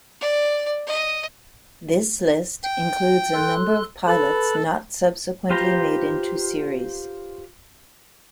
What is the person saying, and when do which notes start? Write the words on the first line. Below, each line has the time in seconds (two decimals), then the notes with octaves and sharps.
This list includes a number of pilots not subsequently made into series.
0.21 D5
0.87 D#5
2.64 G5
3.34 A4 C6 F#6
4.08 A4 B4 B5
5.50 F4 G4 B4 C5 A#5